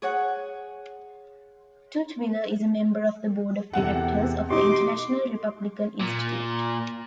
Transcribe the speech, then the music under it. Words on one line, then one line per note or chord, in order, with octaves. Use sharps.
Tutwiler is a member of the board of directors of the International Republican Institute.
G#4 C#5 F#5
E2 C3 A4 F#5
B2 D#4 G4 C6 D6
A#2